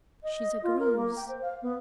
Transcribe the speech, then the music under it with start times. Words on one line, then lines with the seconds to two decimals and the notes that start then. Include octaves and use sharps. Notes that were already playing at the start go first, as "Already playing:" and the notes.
She's a Greuze.
0.23 D#5
0.63 F4
0.79 A#4
0.96 A#3
1.16 G5
1.28 C5
1.42 F5
1.62 B3